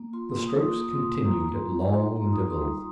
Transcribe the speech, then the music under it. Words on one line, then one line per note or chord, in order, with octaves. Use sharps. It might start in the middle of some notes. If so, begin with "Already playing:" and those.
The strokes continued at long intervals.
Already playing: A#3
F4 C6
C6
A#3
D#6
F4
A#3 D#6
F4 C6
F4 A#5
A#5
G3 C6
D#4 C6
D#4 C6
D#4 A#5
D#6
G3
C6
G3